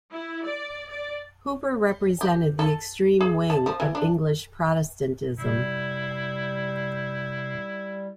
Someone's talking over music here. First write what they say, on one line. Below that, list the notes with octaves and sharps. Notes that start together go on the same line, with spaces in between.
Hooper represented the extreme wing of English Protestantism.
E4
D5
D5
G4
A4
G#4
A5
F3
E3
D4
C3 G3 E4